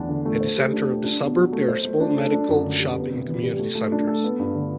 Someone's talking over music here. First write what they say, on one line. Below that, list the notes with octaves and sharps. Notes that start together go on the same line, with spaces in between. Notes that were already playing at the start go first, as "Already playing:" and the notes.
At the centre of the suburb there are small medical, shopping and community centres.
Already playing: E2 D4
D3
A3
C5
G3
D4
G4
D4
B2
F#3
A3
C5
A3
D4
A4
D4
F#2
D3
G3
B3
C3
E3
G3
A3
A3
D4
A4
B3
G2
D3